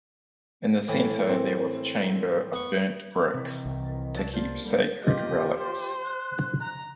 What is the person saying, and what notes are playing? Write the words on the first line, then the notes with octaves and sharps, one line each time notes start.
In the centre there was a chamber of burnt-bricks to keep sacred relics.
A2 E3
C4
B3 C#6
C3 D#3 E3 E4
C2
F#3 D5 A5
C3 A#3 D4 F4 A#4 C5
D3 G3
F4 G4 D#5
C5
F#6
A#5